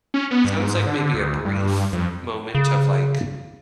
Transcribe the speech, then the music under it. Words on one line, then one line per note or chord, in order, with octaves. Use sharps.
Sounds like maybe a brief moment of, like,
C#4
B3
G2
G#2
D3
D2
G2
F2
C#3